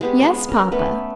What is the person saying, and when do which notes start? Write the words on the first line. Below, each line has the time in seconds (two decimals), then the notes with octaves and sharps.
"Yes, papa."
0.01 G#3 B3 G4
0.22 G#3
0.48 C#4 A#4
0.72 A3 B3 B4